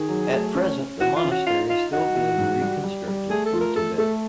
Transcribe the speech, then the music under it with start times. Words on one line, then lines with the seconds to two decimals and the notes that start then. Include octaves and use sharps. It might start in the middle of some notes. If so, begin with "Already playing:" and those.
At present, the monastery is still being reconstructed in Tibet.
Already playing: D#3 G#4
0.09 F#3
0.33 A3
0.55 C#4
0.78 C#4
1.01 E3 F#4
1.16 F4
1.24 C#4
1.31 F#4
1.46 D#4 F4
1.69 D#4 F4
1.92 D#4 F#4
2.15 E3
2.38 G#2
2.61 G3
2.84 G3
3.08 G3
3.30 A3 G#4
3.45 A4
3.53 F4
3.61 A#4
3.76 A3 A4
3.98 A3 A4